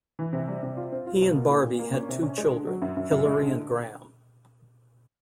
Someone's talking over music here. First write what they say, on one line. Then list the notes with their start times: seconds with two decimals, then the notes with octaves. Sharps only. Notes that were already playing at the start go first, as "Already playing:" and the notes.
He and Barbie had two children; Hilary and Graham.
0.19 E3
0.33 C3
0.48 G3
0.63 C3
0.77 F4
0.92 C4
1.06 F4
1.21 B2
1.35 A#3
1.50 A#2
1.65 A#2
1.79 A#3
1.94 C#4
2.09 C3
2.23 C#4
2.38 G#3
2.52 D3
2.67 F#3
2.82 F#2
2.97 F#2
3.11 F#2
3.26 G#3
3.40 D3